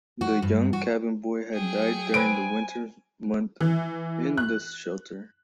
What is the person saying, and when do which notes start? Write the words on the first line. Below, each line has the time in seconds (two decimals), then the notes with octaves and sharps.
The young cabin boy had died during the winter months in the shelter.
0.21 F#4
0.42 G2
0.73 F#4
1.52 F#3 G#4 G5
2.14 C4 B4 G#5 D7
3.60 E3
4.37 F#6